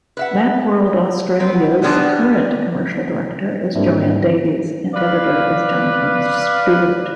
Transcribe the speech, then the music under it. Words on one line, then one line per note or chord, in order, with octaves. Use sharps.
"Macworld Australia"'s current Commercial Director is Joanne Davies and Editor is Jonathan Stewart.
B4 E5 F#5
B3 C4 B4
E3 G3 G#3 B3 D4
G#2 G3 A#3 C4 D4 E4
B4 D5 F5